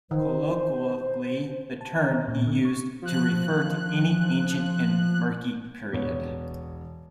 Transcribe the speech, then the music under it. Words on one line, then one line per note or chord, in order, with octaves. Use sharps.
Colloquially, the term is used to refer to any ancient and murky period.
D#3 C5
A5
A#5
A#2
D3
C#6
F3 F#6
E1 B3 C#5